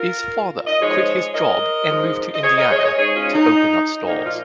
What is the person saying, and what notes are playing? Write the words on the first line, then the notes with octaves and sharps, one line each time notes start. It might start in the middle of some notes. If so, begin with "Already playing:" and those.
His father quit his job and moved to Indiana to open up stores.
Already playing: F4 A#4
D#5
G#2 F3 G#3 G#4 C#5
A#4 D#5
G#2 F3 G#3
D#5
G#4 C#5
A#4 D#5
G#4 C#5
D#5
G#4 C#5
G#2 G#3 G#4 C#5
C#4 F4
D#4
A#2 F3 A#3 D#4
F4